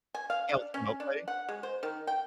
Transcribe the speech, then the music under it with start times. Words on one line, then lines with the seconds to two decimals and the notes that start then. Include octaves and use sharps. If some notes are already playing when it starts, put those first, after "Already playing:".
Yeah, with Remote Play?
0.15 G#5
0.30 F5
0.49 D4
0.74 C#4
1.00 D4
1.28 F#5
1.49 G#3
1.63 C5
1.83 D#3
2.07 G5